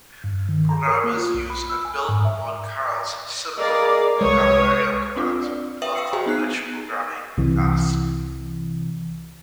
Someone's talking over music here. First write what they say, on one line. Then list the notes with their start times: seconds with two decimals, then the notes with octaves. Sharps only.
Programmers use and build upon Karel's simple vocabulary of commands to accomplish programming tasks.
0.24 G2
0.49 D#3
0.69 A#5
0.87 A#4
1.04 A#3
1.17 F4
1.34 B1
1.50 B5
1.70 E6
1.85 G#5
2.09 G#2
2.25 E5
3.57 G#4 A#4 D5 D#5 F5
4.21 C2 G#3 B4 C#5 D#6
5.16 C4 D4 F4
5.43 D5
5.82 B4 E5 F5 G5 D#6 F#7
5.95 F5 G5 E6 C7 C#7
6.13 F#4 G#4 C5 D#5 G#5
6.26 B3 D#4 F#6 C7
7.37 C2 C3 E3